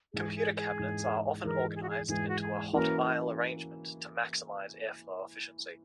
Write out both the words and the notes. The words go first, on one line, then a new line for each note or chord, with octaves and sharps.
Computer cabinets are often organized into a hot aisle arrangement to maximize airflow efficiency.
G#2 E3 G#3 G#4
G#4
G#4
G#2 E3 G#3
G#2 E3 G#3 A#4
G#4
F#4
G#4
G#2 E3 G#3 G#4
F#4
G#4
E3 A#3 C#4 F#4 A#4